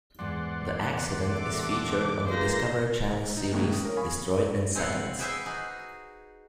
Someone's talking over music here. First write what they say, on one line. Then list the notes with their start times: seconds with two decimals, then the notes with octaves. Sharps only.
The accident is featured on the Discovery Channel series "Destroyed in Seconds".
0.19 E2 G#2 E3 D5 F#5 C6
1.31 C3 A3 A4 D6
2.28 E3 A#3 F4 G#4 A4 B4 C5 A#6
3.37 D#4
3.52 D#2 A2 C3 G#3 A#3
3.72 A2 D#6
3.85 A#4 C#5
3.97 F5 G#5 B5 C#6
4.75 G#3 C4 E4 C#5 F5 F#5
5.18 E4 F#4 G#4 B4 C5 E5
5.46 D#4 F#4 G#4